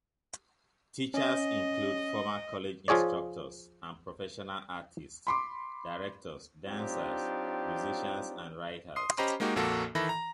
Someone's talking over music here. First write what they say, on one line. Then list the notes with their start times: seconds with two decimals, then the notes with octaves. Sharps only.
Teachers include former college instructors and professional artists, directors, dancers, musicians, and writers.
1.14 C#4 D#5
2.88 F3 F4 G#4 C#5 D5
5.27 B5 C6 D6
6.66 F#3 C4 D4 D#4 F4 G4
8.96 C6 D#6 C7
9.18 C#4 G4 C5 D#5 A#5 B5
9.40 G#3 A#3 D#4 F#4 G4
9.56 A#1 F2 A#2 A#3 F#4 A4
9.95 D#3 E3 A4 E5 B5 A#6
10.09 A#5